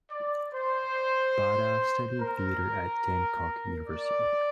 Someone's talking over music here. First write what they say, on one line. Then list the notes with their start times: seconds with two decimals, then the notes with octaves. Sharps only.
Bada studied theater at Dankook University.
0.11 D5
0.53 C5
2.20 A#4
3.88 D5